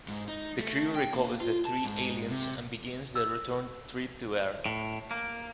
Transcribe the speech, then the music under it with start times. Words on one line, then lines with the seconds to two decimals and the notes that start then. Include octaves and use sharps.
The crew recovers the three aliens and begins the return trip to Earth.
0.08 G#2
0.28 D#4
0.59 A3
0.95 G5
1.14 A#3
1.41 F4
1.65 A5
1.84 G#2
2.30 C3
3.16 E6
4.66 A2
5.11 A#3